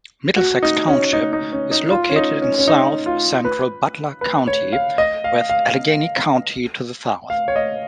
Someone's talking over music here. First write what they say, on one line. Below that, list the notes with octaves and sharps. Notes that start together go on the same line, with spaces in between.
Middlesex Township is located in south-central Butler County, with Allegheny County to the south.
F#4
D#4
C#4
D#4
D#4
C#4
D#4
F4
C#4
D#4
C#4
C#4
D#4
F4
B4
B4
C#5
F5
D#5
F5
F5
F5
C#5
D#5